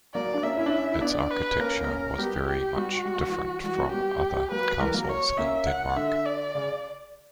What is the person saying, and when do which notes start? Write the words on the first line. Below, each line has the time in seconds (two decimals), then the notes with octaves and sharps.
Its architecture was very much different from other castles in Denmark.
0.14 F#3 A#3 D5
0.34 D4
0.43 A#3 C#4 E5
0.57 C#4 E4
0.66 D4
0.72 C#4 E4
0.92 E4
1.01 B3 D4 D5
1.31 B4
1.60 A#3 C#4 A#4
1.80 B3
1.89 A#3 C#4
2.18 G3 B3 G4
2.47 G4
2.76 G3 B3 F#4
3.05 G3
3.17 A#3
3.27 E3 G3
3.64 E3 G3 F#4
3.78 A#3 C#4
3.92 G3 B3 G4
4.51 F#3 A#3 B4
4.80 E3 G3 A#4
4.94 F#3 A#3
5.09 C#5
5.38 A#3 C#4 E5
5.67 F#5
5.96 D3 E5
6.25 D5
6.55 C#3